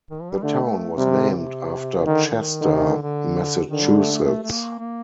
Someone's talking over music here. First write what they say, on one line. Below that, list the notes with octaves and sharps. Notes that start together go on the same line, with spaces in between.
The town was named after Chester, Massachusetts.
D#3
F3
G3
D3 A3
C3 G3
D#3
D3
C3
C3
D3 D#3
D#3
D3 D#3
C3
D3
D3
D3 D#3
G3
A3
A3
A3
A3
A#3
A#3